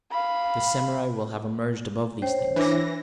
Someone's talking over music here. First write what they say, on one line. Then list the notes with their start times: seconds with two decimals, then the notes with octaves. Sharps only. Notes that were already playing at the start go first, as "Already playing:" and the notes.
The samurai will have emerged above these things.
0.11 F5 B5
2.22 C#4 C5 C#5
2.56 E3 D4 D6 A#6